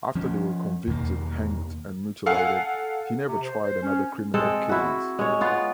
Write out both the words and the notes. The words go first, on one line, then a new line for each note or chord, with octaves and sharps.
After they were convicted, hanged and mutilated, he never tried another criminal case.
F3 C#4
E2 B2 D#3 A#3
A4 F5 F#5 G#5
C3
C5
C5
C#4
G#3 C4 A4
E4 F#4
G#3 C#5
B3 F4